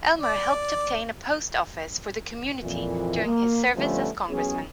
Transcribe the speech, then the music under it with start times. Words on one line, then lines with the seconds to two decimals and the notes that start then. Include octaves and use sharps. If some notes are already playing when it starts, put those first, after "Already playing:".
Elmer helped obtain a post office for the community during his service as Congressman.
0.18 D5
2.62 F2 A#2 E3
3.25 A#3
3.75 D3 F3 G3 A3 B3 C#4
4.29 A1 F#3 B3 C#4 G#4